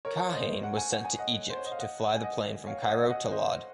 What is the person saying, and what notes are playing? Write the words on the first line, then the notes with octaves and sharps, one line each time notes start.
Kahane was sent to Egypt to fly the plane from Cairo to Lod.
A#4 C#5
C5 D#5
F#5
G#5
F#5
G#5
D#5 F#5
C5
C#5
D#5
F5
D#5 F#5
G#5
D#5 F#5
C#5 F5
D#5 F#5
D#5 F#5
C5 D#5